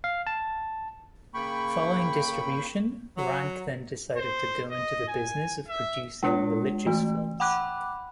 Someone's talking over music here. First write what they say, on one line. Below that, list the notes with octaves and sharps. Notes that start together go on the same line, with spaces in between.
Following distribution, Rank then decided to go into the business of producing religious films.
F5
A5
C#3 A#3 G5 B5 C#6
F#3
C5
D#5
G#5
E5
G#3 D4 F4 C#5
E3 A3 F#4
F#5 G5 B5 D6 F#6